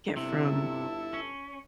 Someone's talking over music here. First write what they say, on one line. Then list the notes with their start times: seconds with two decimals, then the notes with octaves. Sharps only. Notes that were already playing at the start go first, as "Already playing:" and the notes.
get from
0.16 G1 C3 E4 A4
1.14 C#4